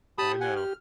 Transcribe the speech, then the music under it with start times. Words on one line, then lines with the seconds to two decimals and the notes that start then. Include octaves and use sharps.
I know.
0.18 G4 A5 B5 D#6
0.41 F#5 G#5
0.56 F6